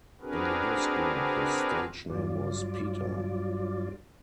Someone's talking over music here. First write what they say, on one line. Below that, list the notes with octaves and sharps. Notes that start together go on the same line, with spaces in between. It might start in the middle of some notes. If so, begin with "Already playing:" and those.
In this group his stage name was Pita.
C4 D4 F#4 G#4 A#4 B4
G2 F#3 F4 D5